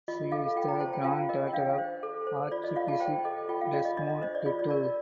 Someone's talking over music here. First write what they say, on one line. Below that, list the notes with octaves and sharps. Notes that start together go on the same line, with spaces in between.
She is the granddaughter of Archbishop Desmond Tutu.
F4 D#5
A4 F5
F4 G5
A#5
C5 A5
G5
F4 F5
A#4 D#5
G5
D4 F5
C5
A4
C5
F4 D5
D#5
F4 F5
A5
C5 G5
A4 D#5
F4 G5
F5
F4 D#5
D#5
D4 D#5
D#5
C5 D#5
D5
F4 D5
D5
A#4 D5